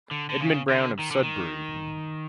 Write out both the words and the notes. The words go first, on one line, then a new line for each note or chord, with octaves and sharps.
Edmund Brown of Sudbury.
D3
D3
C#3
D3
D#3
D3
D#3